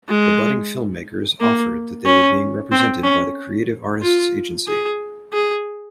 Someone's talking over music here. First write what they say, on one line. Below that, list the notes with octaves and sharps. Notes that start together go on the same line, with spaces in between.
The budding filmmakers offered that they were being represented by the Creative Artists Agency.
G#3
A#3
C#4
C4
C#4
F4
G#4
G#4